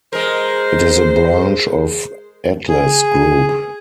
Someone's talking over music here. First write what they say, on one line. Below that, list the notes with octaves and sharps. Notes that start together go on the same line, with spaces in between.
It is a branch of Atlas Group.
G#3 A#4 C5
G#4